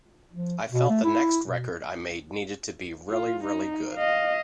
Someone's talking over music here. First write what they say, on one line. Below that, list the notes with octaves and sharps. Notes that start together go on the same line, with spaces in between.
I felt the next record I made needed to be really, really good.
F3
B2
A3
E4
B2
F4
D#4
D#5 F5